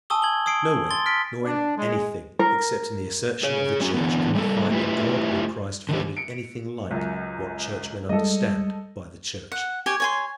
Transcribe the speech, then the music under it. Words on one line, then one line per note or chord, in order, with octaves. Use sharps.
Nowhere nor in anything, except in the assertion of the Church, can we find that God or Christ founded anything like what Churchmen understand by the Church.
G#5 A5 C#6 D#6 E6 G7
G#6 F#7 G7
D#6 G#6 C7 D7
C6 A6 G7
F6 B6 D7
D4
G#3
A#4
G#4 C#5
F#3 C#4 F#4
D3 E3 B3
G3 A#3 A4
A3 E4 F4 G4 B4
D3 D#3 G4
C#7 D7
C#2 F#2
G3 G#3 A4 D#5
F#5
G4 C#5 G#5
C#5 G#5 C6